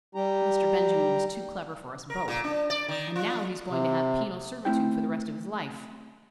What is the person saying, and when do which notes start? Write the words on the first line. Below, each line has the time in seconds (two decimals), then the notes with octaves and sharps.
Mr. Benjamin was too clever for us both, and now he is going to have penal servitude for the rest of his life.
0.15 G3 G4 A#5
2.10 A#4
2.28 A#2
2.44 D4
2.70 D5
2.88 D#3
3.15 F4
3.70 C3
4.65 A3 C4 E4 G5